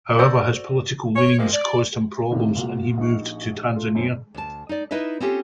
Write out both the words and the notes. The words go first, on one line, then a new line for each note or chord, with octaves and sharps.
However, his political leanings caused him problems and he moved to Tanzania.
F#4 A4 C5 D5
C#5
C3 F3 G#3 A#3
D5
E2 A2 C3 D#3 E3
C2 A#2 F#4
A#1 D#4 C#6
A3 F4
F#2 C4
D2 A5
D#4 D5
D#4 E4 B4 D#5 E5
C4 C#4 F4 G4 A4